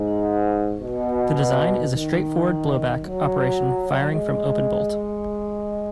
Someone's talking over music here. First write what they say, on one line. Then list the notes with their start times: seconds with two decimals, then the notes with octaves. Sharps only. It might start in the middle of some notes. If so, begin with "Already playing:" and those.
The design is a straightforward blowback operation firing from open bolt.
Already playing: G#2
0.81 B2
1.92 D#3
3.02 F#3
4.13 G#3